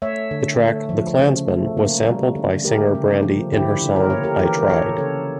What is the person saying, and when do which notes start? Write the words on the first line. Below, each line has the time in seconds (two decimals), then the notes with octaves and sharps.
The track "The Clansman" was sampled by singer Brandy in her song "I Tried".
0.02 A3 C#5 E5
0.31 D3
0.60 A3
0.89 F3
1.19 C#3
1.48 A3
1.77 A#3
2.06 G3
2.36 D3
2.64 A3 G4 A#4
2.94 C#3
3.23 F3
3.52 D3 E4 G4
3.82 D3
3.96 A#4
4.10 A#3 C#5
4.24 G4 A#4
4.39 E3 G4 A#4
4.57 A#4
4.69 A#3 A4 C#5
4.98 C#3 A4 C#5